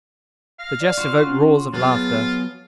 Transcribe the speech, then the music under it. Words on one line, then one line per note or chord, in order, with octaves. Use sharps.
The jests evoke roars of laughter.
F5 A#6
D5
F4 F#4
C#4
F#3 B3 F4 G#4 A5